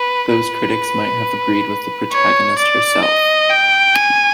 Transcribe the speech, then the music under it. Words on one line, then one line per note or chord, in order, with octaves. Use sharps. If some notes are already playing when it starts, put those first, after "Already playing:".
Those critics might have agreed with the protagonist herself.
Already playing: B4
B4
C#5
D5
D#5
G5
G#5